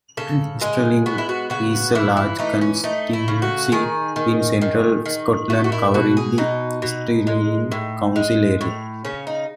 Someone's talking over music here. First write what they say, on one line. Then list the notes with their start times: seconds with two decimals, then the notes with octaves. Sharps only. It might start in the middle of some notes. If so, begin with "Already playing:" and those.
Stirling is a large constituency in Central Scotland covering the Stirling council area.
0.17 C#3 A4
0.61 G#3 G#4
1.06 B3 F#4
1.18 E4
1.29 F#4
1.50 C#3 F#4
1.95 E3 E4
2.17 E4
2.39 A3 D#4
2.61 C#4
2.84 A3 D#4
3.13 E4
3.28 C#3
3.42 F#4
3.72 D#3 G#4
4.16 D#3
4.61 D#3
5.05 D#3
5.50 A3 F#4
5.64 F#4
5.72 E4
5.94 B2 F#4
6.17 G#4
6.38 B2 D#4
6.82 B2
7.27 G#3
7.72 A2
8.16 G#3
8.61 A2
9.05 C#3 C#4
9.27 D#4